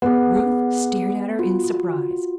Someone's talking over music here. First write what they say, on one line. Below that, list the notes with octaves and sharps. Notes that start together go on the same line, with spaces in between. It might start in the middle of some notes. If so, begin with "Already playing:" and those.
Ruth stared at her in surprise.
B3 G#4 F#5
F4 F#4